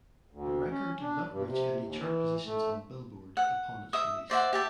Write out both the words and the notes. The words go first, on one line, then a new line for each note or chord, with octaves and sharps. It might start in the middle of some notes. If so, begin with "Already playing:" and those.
The record did not reach any chart positions on "Billboard" upon its release.
D2
C#4
D4
G2
C3
D#2
E3
A3
F#5
E5 D#6
C5 D5 E5 F#5
G4 E5 A5